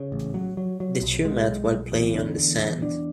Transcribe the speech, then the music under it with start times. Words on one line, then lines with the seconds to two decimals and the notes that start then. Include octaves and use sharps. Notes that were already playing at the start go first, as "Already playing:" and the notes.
The two met while playing on the sand.
Already playing: C#3
0.12 A1
0.34 F#3
0.57 F#3
0.80 F#3
1.02 B1
1.25 G#3
1.47 B1
1.70 B1
1.92 E2
2.15 D3
2.37 E2
2.59 E2
2.82 D4